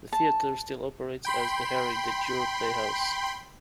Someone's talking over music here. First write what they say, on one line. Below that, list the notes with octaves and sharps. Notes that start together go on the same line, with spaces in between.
The theatre still operates, as the Harry De Jur Playhouse.
A5
G5 B5 C6